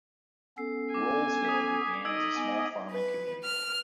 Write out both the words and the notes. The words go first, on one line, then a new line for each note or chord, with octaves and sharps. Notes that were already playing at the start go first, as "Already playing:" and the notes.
Rolesville began as a small farming community.
B3 C#4 A4 C7
G#5 D6
D#6 B6
D#4 D#5 E6 G#6 D7
B3 G#5
B4
F6